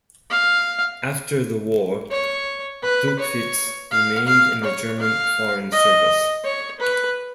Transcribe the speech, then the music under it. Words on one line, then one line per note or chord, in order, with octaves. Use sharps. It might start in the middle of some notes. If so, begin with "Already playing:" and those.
After the war, Duckwitz remained in the German foreign service.
F5
C#5
B4
C#5
F5
F5
C#5
F5
D#5
C#5
B4